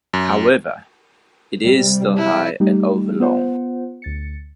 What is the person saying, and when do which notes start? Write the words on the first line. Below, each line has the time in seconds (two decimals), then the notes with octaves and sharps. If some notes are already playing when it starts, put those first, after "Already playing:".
However, it is still high and over long.
0.13 F#2
1.62 C3 G3
2.17 E4
2.60 G3 A3 D#4 G4
3.20 B3 F4 C5 F#5
4.02 D2 A6 C#7